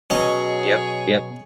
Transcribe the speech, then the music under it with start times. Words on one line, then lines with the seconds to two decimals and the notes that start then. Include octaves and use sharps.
Yep, yep.
0.10 B2 F#3 C#4 F#4 G#4 C#5 D#5